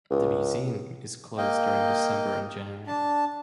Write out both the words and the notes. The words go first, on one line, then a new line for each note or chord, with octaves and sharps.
The museum is closed during December and January.
C#2
A#3 D#5 F5 G5
D4 A5